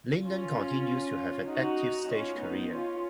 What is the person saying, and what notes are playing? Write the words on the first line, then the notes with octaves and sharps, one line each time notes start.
Linden continues to have an active stage career.
C#4 F4
D#4 F#4
C#4 F4
B3 D#4
C#4 F4